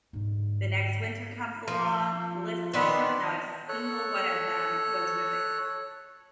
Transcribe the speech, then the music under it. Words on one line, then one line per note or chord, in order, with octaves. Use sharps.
the next winter comes along, list 'em, not a single one of them was moving
G#2 D3
F3
D#3 B3 C4 D4
A4 C#5 F#6